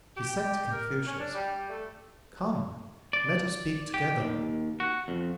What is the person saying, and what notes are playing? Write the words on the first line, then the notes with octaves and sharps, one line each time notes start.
He said to Confucius, Come, let us speak together.
G4
A#4
C#4
D4
G3
A3
D5
G4
D#2
F#4
F2